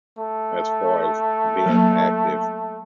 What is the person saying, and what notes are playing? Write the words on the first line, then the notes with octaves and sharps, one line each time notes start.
as far as being active,
A3
F#3 A#3